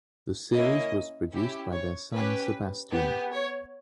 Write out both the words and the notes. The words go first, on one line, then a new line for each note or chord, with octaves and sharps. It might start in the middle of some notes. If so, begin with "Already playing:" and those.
The series was produced by their son, Sebastián.
A#3 C#4 E4 D#5
C#4 E4 G4
C#5
C#4 G4 B4
B3 G4
C#5